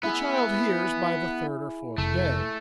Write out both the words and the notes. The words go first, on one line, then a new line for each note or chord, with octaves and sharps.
The child hears by the third or fourth day.
B3 E4 G#4
F1 A3